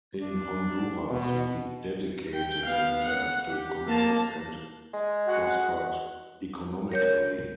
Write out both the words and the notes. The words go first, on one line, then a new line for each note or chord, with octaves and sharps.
In Honduras he dedicated himself to commerce and prospered economically.
D4
B2
G5
B3 F5
F#5
G4
A#3 A5
G#3
F#4 F#5
A#4 C#5 G6